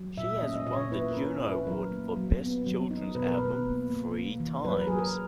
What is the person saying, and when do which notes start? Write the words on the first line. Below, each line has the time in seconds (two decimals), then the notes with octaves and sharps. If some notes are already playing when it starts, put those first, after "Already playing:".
She has won the Juno Award for best children's album three times.
Already playing: F#3
0.17 A#2 E5
0.36 D#5
0.43 C#4
0.56 D#5
0.67 A#2 D#5
0.73 C#5
0.92 E4 B4
1.11 A#4
1.17 C#4
1.42 E4
1.47 B4
1.67 F#3 A#4
1.92 A#3
2.16 F#3
2.42 B3
2.66 F#3
2.91 D#4
3.15 B2 B4
3.26 A#4
3.38 B2 B4
3.65 A#3
3.90 A#3
4.14 A#3
4.40 E3
4.65 F#3 B4
4.77 A#4
4.87 F#3 G#4
4.98 A#4